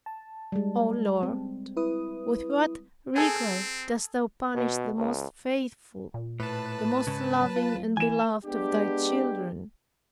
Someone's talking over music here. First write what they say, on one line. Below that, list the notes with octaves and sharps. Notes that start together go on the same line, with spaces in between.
O Lord! with what rigor, dost Thou punish the most faithful, the most loving and beloved of Thy children.
A5
G3 G#3
C4
E4 B4 D#6
C4 G#4 A4 G#5
B2
C#2
A#2
A2 B4 A5
G#2 C#3
F#3
F4
E3 G#5 E7
G#3 B3 D4 G4